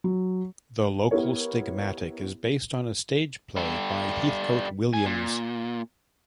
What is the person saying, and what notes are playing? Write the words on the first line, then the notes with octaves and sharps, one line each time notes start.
"The Local Stigmatic" is based on a stage play by Heathcote Williams.
F#3
B3 E4 G4 A#4 C#5
G3 A4
A2 G#5
A#2